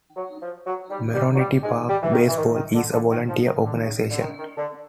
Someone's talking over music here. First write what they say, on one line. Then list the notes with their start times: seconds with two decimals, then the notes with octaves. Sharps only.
Merrionette Park Baseball is a volunteer organization.
0.17 F#3
0.42 F3
0.67 F#3
0.90 G3
1.14 G3
1.35 F#3
1.39 G3
1.63 G#3
1.89 G3
2.03 E3
2.13 D#3
2.28 E3
2.37 D#3
2.55 D#3
2.74 D3
2.92 D3
3.10 D#3
3.29 F3
3.46 D#3
3.65 D3
3.83 C#3
4.11 D3
4.21 D#3
4.39 D#3
4.57 D3